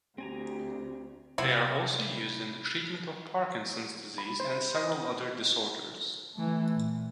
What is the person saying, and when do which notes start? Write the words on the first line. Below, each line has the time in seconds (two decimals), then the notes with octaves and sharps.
They are also used in the treatment of Parkinson's disease and several other disorders.
0.18 D2 C4 G4 G#5 A#5
1.38 C3 B3 C4 E4
4.18 B5
4.40 C5
4.75 D#5
6.34 E3 A3
6.74 A#2